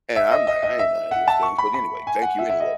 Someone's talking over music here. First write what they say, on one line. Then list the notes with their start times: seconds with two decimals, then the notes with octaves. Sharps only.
and I'm like, "I ain't none of those things, but anyway, thank you anyway."
0.16 E5
0.31 D#5
0.47 D#5
0.63 D#5
0.79 E5
1.11 F#5
1.28 A5
1.43 C#6
1.58 B5
1.74 B5
2.07 G#5
2.22 F#5
2.39 E5
2.50 E5
2.60 D#5